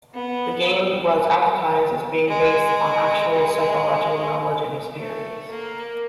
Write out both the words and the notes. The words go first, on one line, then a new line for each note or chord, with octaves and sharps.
The game was advertised as being based on actual psychological knowledge and experience.
B3
G#3
G#3
A3
A#3